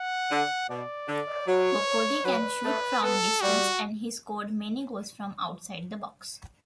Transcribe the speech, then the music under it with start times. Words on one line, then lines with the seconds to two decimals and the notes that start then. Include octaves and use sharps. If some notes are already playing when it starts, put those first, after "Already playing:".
Boccoli can shoot from distance, and he scored many goals from outside the box.
Already playing: F#5
0.31 D3
0.70 B2 D5
1.08 D3
1.47 F#3 C#5
2.25 F#3 B4
2.65 A3
3.03 B3 A4
3.42 G3 F#4